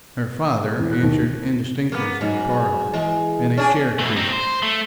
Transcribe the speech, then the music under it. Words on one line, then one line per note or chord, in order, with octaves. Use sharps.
Her father answered indistinctly from the parlor, and a chair creaked.
G#3
E2
F#6
D#2
A#3 B3
G#2 F#3
E3 G#3
C#4 D4 G#4
B2 A3
C4 D#4
C5
A3